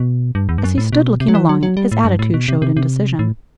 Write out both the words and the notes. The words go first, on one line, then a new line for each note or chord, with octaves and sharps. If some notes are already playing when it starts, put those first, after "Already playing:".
As he stood looking along it, his attitude showed indecision.
Already playing: B2
G2
E2
G2
F#2
A2
B2
C3
F#3
E3
F#3
F#3
G3
A2
G2
A2
B2
C3
C3
C3
A2